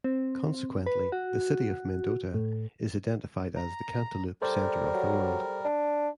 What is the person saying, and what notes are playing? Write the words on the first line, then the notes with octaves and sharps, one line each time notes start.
Consequently, the city of Mendota is identified as The Cantaloupe Center of the World.
C4
B4
F#4
A2
A#5
G3 A4 A#4 C5 D5
F#3
D4